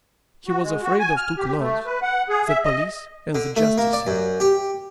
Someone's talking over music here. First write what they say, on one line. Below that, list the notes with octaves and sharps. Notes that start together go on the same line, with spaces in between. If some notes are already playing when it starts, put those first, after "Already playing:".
He was afraid of two claws--the police and the justices.
F#4
G#3
F#4
G#5
F6
G4
A3
B4
F#5
G#4
E5
D#5
D3
A3
A#3
D5
F#2
G4